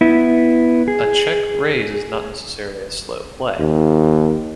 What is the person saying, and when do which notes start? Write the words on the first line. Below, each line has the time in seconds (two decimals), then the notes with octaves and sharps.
A check-raise is not necessarily a slow play.
0.01 B3 E4
0.88 G#4
3.59 D#2